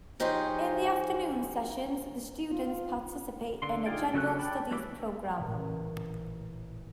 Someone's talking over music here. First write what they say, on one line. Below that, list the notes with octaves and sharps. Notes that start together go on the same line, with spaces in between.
In the afternoon session, the students participate in a general studies program.
F3 D#4 G4 G#4 C5 C#5
F4
D3 C6
D#4 F4 G#4 D5 G5
C#3 F#3 C#4 A4 F#6
G5 A5 B5 D6
F#3 G3 E4 E5 D6
A1 A#2 E3